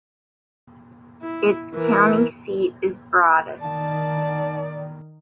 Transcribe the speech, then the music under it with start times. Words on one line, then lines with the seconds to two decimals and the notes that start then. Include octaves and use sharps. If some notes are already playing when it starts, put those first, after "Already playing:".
Its county seat is Broadus.
1.22 E4
1.73 E3 A#4
3.61 D#3 D5 A5